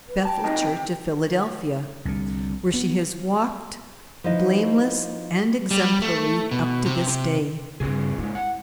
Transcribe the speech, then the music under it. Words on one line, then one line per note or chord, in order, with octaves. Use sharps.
Bethel Church, of Philadelphia, where she has walked, blameless and exemplary up to this day.
B4
G5 A5
C#2 C3 D#4
C3
C2 D3
B3
F3 D#4 E4 B4 D#5
G3
A3
B2
C3
C3
G2 C#3 C4 F4 G#4
A#2 G#3 E4
F#5